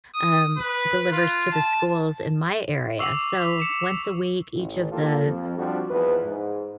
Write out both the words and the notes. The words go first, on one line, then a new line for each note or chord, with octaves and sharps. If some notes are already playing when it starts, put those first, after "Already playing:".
um, delivers to the schools in my area. So once a week, each of the
D#6
B4
F4
A5
C#6 D6 E6 C7 F7 F#7
B6 F7
C#7 E7
A1
A#3 F4 G4 A4
F2
F3 G3 C4 D4 F#4 G4
E2 G#2 F3 B4
G#2